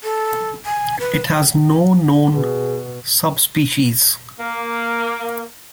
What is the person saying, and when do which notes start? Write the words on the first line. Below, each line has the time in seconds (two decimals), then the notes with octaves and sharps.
It has no known subspecies.
0.03 A4
0.66 G#5
0.99 B4
2.34 B2 G#4
4.40 A#3